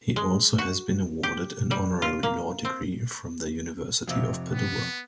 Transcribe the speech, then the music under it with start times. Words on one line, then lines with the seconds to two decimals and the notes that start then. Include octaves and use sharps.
He also has been awarded an honorary law degree from the University of Padua.
0.16 G#3
0.58 F#4
1.23 G4
1.71 G3
2.02 F4
2.23 A#3
2.65 C4
4.07 F2 C3
4.52 B3